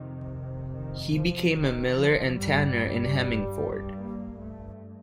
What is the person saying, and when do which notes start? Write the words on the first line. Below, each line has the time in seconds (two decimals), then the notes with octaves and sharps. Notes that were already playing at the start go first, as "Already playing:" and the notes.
He became a miller and tanner in Hemmingford.
Already playing: F2 C3 D#3
0.72 D#3
1.14 F3
1.54 D#3
1.95 F3
2.35 G2 G3
3.98 A#3
4.39 A3